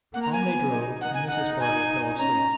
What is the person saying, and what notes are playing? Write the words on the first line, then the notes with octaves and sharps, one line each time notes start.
On they drove, and Mrs. Bardell fell asleep.
A#3 F#5
A#5
G#5
B3
D#4
D#4 F#5
G#5
D#4 F#5
G#5
C#4 A#5